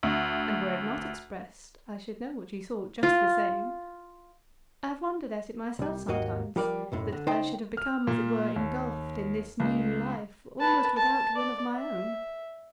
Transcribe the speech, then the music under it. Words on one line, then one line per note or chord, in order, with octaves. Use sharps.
And were it not expressed, I should know what you thought just the same. I have wondered at it myself sometimes,--that I should have become as it were engulfed in this new life, almost without will of my own.
D2
F4
C2 G3
D#2 G#2 A#3 F#4 D#5
F3 G3 A#4 D5
B1 F#2 A2
D3
C#3 D#4 C5 D#5 G5 A5
F6
A#2
D#2
C#2
B4 A5
A5
D5
E5